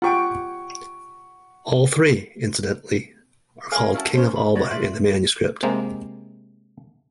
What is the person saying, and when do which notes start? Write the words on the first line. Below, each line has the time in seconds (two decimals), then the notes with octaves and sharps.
All three, incidentally, are called "King of Alba" in the manuscript.
0.02 F4 G4 F#5 G5 C#6 D7
3.71 A#4 C#5 F5 G#5
3.94 C#4 E4 F#4 A5
4.15 C#4 C5
4.36 B5
4.55 F#4 B4 C#5 D5
4.70 F4 B4 D5 E5
5.63 C3 G#3 A#3